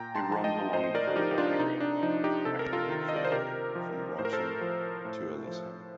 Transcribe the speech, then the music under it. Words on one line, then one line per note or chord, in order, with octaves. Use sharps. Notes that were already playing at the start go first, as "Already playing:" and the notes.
It runs alongside the Bure Valley Railway, a heritage railway from Wroxham to Aylsham.
Already playing: A#2 G5 A#5
A5 C6
F3 A5
D#5 G5
A2 C5 D#5
C5
A#4 D5
F3 D#4 G4
G4
D4 F4
C3 D#4
D4
F3 D#4
D#4 G4
C3 A4
A#4
F4 A4
D#3
D#5
D5
C5
C3 G4 A#4
F3
A2 C5
A#4
A4 C5
F3
A2
F3